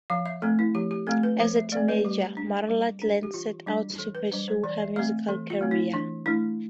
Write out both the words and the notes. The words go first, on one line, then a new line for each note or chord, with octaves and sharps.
As a teenager, Marla Glen set out to pursue her musical career.
F3 F5
E5
A3 C4 A4
E4
F3 G4
G4
A3 C4 A4
B4
F3 C5
E5
A3 C4 D5
B4
G3 G4
D4
G3
D4
G4
E3 F4
G3 D4
E3 A4
B4
G3 D4 C5
C5
E3 D5
E5
A3 C4 E5
E3 A4
F4
A3 C4
E4
E3 D4
A3 D4 E4